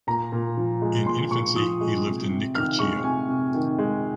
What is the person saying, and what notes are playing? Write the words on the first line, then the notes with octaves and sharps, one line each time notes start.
In infancy he lived in Necochea.
A#2 A#5
A#2
F3
G#3
A#2 C6
A#2 C#6
F3 D#6
G#3
C3
C3
D#3 F6
G#3 C#6
C3 G#5
C3
D#3
G#3